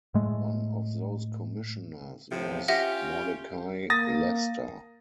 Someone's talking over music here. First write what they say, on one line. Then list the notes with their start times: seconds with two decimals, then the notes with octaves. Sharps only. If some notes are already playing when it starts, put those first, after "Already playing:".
One of those commissioners was Mordecai Lester.
0.14 A2 G#3 A3
2.31 A2 C3 F3
2.68 C#4 F4 G4 E5 F#5 A#6
3.90 A#3 D#6 A6 A#6